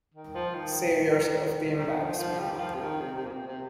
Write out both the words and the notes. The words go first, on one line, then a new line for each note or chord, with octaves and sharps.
Save Yourself The Embarrassment.
D#3
F3
D#3
D#3
F3
F3
G3
D#3
F3
C3
D#3
C3
C3
A#2
C3
C3